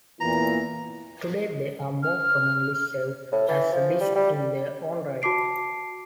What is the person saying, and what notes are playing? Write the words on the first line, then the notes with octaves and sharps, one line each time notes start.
Today, they are more commonly served as a dish in their own right.
E2 A#2 E3 A#5
F6
A2
E3
F3
G3
G3
F#4 A5 D6 C7 D7